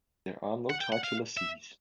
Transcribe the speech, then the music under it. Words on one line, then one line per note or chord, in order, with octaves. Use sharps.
There are no titular sees.
F#5
G5
F#5
F5
E5